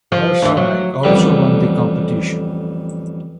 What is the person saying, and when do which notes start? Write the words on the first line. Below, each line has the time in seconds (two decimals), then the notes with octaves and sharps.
Her side also won the competition.
0.12 F3
0.42 D2 E3
0.57 F#3
1.03 A1 F2 D3 G3 B5